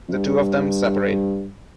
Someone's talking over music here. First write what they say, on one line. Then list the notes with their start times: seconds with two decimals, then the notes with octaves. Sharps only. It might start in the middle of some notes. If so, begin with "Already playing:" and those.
The two of them separate.
0.08 F2
0.13 G2